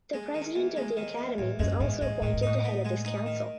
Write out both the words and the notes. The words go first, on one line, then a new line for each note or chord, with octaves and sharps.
The President of the Academy was also appointed the head of this council.
G#3
D#3
E2
G#3
D#3
E2
E2 A2
F#2 G#3
E2 G#2
G#2 G#3
A2 D#3
G#2
A2 D#4
B3
G#3
D#4
D#3